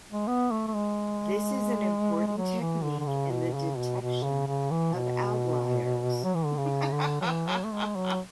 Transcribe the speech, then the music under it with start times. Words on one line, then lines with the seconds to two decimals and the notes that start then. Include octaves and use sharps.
This is an important technique in the detection of outliers.
0.11 G#3
0.28 B3
0.51 A3
0.67 A3
0.75 G#3
2.27 G#3
2.37 F#3
2.60 E3
2.84 D3
3.00 D3
3.07 C#3
3.31 B2
3.54 C#3
3.77 B2
4.01 B2
4.23 C#3
4.47 C#3
4.71 E3
4.94 B2
6.24 F#3
6.35 E3
6.45 D3
6.57 C#3
6.91 D3
7.21 F#3
7.26 E3
7.49 F#3
7.64 A3
7.73 G#3
7.96 F#3